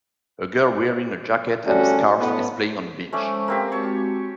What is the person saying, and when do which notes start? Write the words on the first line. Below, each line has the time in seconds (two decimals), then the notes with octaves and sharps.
A girl wearing a jacket and scarf is playing on the beach.
1.66 D2 G3 A3 C#4 F#4 D5
2.19 A2 B3
3.13 G#3 A3 C#4 C5 D5
3.48 A#3 C4 G4
3.72 G#3 C4 F#4 C#5 A5 C#6